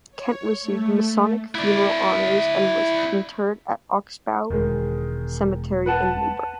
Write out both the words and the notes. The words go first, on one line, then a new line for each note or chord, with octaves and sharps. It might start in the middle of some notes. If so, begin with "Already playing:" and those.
Kent received Masonic funeral honors and was interred at Oxbow Cemetery in Newbury.
C#5
A3
E4 D5
E1 D#3 G#3
B4 F#5 A5